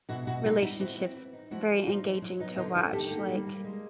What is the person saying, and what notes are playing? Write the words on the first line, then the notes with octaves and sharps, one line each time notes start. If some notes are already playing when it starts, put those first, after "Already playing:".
relationships very engaging to watch, like
B2 E4 F#4
B2 E4 F#4
G3 D#4 F4
G3 E4
C4 E4 F#4
C4
E3
D#4
F3 E4 F#4
D4
F3 D#4 F4
F3
F#3 E4
B3 D#4
D3 D#4 F4
D3 E4 F#4
D#3 G4 A4
A#3
G3
A#3
G#3